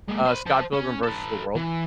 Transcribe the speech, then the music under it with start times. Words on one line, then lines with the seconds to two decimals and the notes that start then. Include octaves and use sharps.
Uh, Scott Pilgrim vs. the World.
0.08 G#3 A#3
0.25 C5 B5
0.46 C5 A5
0.73 C#4
1.03 A4 B4
1.55 E3